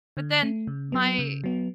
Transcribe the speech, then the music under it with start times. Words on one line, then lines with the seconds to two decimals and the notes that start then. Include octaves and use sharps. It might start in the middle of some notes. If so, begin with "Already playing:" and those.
but then my
0.17 D3
0.43 A3
0.67 C#3
0.92 F#3 B3
1.19 C#3
1.44 F#3 B3